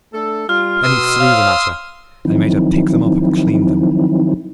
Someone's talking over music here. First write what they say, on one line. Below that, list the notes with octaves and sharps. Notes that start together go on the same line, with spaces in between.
Then he threw them at her, and made her pick them up and clean them.
A3 D4 A4
G3 F4 F6
B2 C6 D#6 E6
C5 C#5 F5
D#3 F3 F#3 C4 D#4 E4